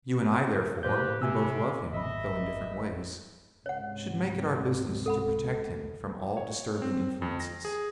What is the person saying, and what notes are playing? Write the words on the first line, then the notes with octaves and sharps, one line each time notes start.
You and I, therefore, who both love him, though in different ways, should make it our business to protect him from all disturbing influences.
A2 A#3 G4 B4 C5 G6
C3 E5 G#5 E6
G#1 D#5 E5 B5
C#2 G#2 C3 C#5 F#5
A4 F#5 B5
C#5
C4
F2
A#6
G#4